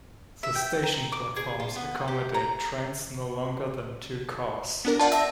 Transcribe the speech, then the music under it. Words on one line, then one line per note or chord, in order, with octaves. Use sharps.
The station platforms accommodate trains no longer than two cars.
E5
G5
A#5
D6
G#4
F4
B3
G4
A#5
B3 D4 A#4
F4 D5 F#5 A5
E5 E6 A#6